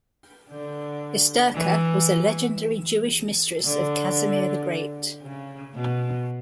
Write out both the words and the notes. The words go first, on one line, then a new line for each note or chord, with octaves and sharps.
Esterka was a legendary Jewish mistress of Casimir the Great.
D3
E3
D3
C#3
B2